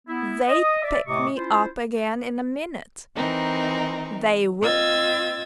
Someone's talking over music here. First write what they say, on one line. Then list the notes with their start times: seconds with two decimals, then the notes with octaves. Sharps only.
'They'd pick me up again in a minute, THEY would!
0.07 B3 E4
0.47 D#5 D#6
0.82 D5 E5
1.07 A2 C3 A3 D#5 C#6 D6
1.35 C#4 E4 F4 C5
3.15 E3 C4 D#4 A#4
4.62 C4 F4 D#5 E6 G#6 A6